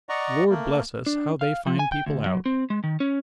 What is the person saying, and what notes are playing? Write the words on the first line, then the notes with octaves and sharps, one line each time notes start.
Lord bless us, how they find people out!
D5 D#5 F#5 A#5 C#6
A3 A#3
D4
F5
F3
G#5
G5
D2
F#3
C4
G#3
D#3
C#4